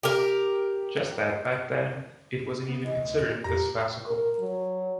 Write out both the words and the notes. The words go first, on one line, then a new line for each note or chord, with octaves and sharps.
Just that back then, it wasn’t even considered this classical.
G4 A#4
B3
E3 D#5
D2
A#2
F2 G4 A#5
A#4
F#3